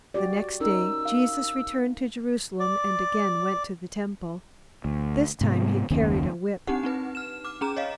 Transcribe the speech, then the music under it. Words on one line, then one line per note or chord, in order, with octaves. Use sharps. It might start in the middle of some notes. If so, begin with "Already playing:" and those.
The next day Jesus returned to Jerusalem and again went to the Temple. This time he carried a whip.
F#4 G4 D5
C#4 D#4 A#4 E6
F5
D5
D2
G#2 C3 B3
F#1 D#2 D#3 C#4
C4 D4 D#4 G4 F#5
C4 D#4 B4
F6 E7
D6 F6
C#4 G#4 A#5 E7
C#5 D#5 F5